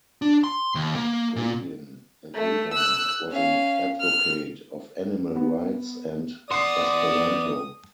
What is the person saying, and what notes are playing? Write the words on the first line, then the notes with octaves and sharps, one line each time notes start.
Godin, a vegan, was an advocate of animal rights and Esperanto.
D4
C6
D#2
A#3
A#2
A3
E6 F#6
C#4 F5
F6
B3
E2 D5 F#5 C6 D#6 C7